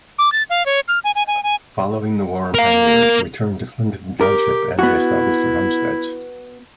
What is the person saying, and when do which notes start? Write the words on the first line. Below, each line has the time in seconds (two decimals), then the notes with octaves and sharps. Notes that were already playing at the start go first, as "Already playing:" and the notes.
Following the war the pioneers returned to Clinton Township and reestablished their homesteads.
0.19 D6
0.32 A6
0.50 F5
0.66 C#5
0.88 F6
1.04 G#5
1.15 G#5
1.28 G#5
1.43 G#5
2.54 A#4 F5
4.21 G4 A#4
4.79 B3 E4 F#4